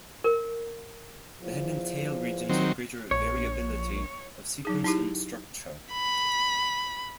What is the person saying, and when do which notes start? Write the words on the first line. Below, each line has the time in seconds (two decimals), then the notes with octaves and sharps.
The head and tail regions have greater variability of sequence and structure.
0.24 A#4
1.40 E2 E3 F3
2.49 D#3 F#3 C4
3.11 A#1 C#5
4.65 F#3 D#4 G#4
4.85 D#4 E4 G4
5.92 B5